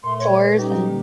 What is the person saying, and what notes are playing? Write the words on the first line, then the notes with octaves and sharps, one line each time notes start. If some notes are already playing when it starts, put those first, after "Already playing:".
chores and
A#2 A3 C6
C#5
A4 B4
G3 C#4 D#4 G4
D3 A#3